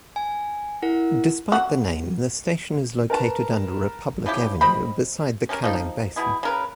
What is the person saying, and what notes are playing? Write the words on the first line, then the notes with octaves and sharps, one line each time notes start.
Despite the name, the station is located under Republic Avenue, beside the Kallang Basin.
G#5
E4 A#4 F#5
F#4
A#4 B4 A5 A#5
C#3 F3 E4 G4
C5 D#5 G5 B5
C#4 G4 A4 A#4
F3 A#3 D#4
B2 E4 G#4
C#3 A#4 B4